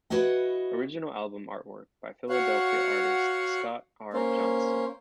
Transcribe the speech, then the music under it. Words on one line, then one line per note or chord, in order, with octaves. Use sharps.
Original album artwork by Philadelphia artist Scott R. Johnston.
E4 F#4 B4 C#5 D#5 F#5
F#4 C#5 F5 F#5
A#3 C#4 C5